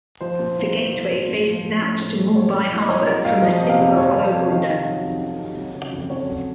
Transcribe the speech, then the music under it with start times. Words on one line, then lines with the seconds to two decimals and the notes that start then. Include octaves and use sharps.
The gateway faces out to Mumbai Harbour from the tip of Apollo Bunder.
0.21 F3 C5
0.39 A#2
0.57 C2
0.75 C2
0.93 F3
1.11 A#2
1.29 A2
1.47 F3
1.64 F3
1.82 A2
1.99 A2
2.18 F3
2.36 F#3 C#5
2.53 A#2
2.72 C2
2.80 D#5
2.89 C2 C#5
3.07 F#3 A#4
3.25 A#2 F5
3.42 F3 D#5
3.61 C3
3.69 F5
3.79 F2
3.97 F2 C#5
4.15 F3
4.31 C3
4.50 D#3 F5
4.68 C3
4.86 F#3
5.03 F2
5.21 D#3
5.39 C3
5.57 F#3
5.75 C#3
5.92 F2
6.10 F2 C#5
6.28 F#3